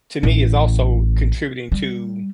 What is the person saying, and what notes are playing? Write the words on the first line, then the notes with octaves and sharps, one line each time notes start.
to me is also contributing to,
A1
G3